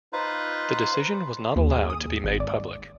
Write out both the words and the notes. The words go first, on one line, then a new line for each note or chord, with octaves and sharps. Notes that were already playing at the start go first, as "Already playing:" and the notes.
The decision was not allowed to be made public.
D#4 F4 B4 C5
D#2
G#4
D#6
G#1
D5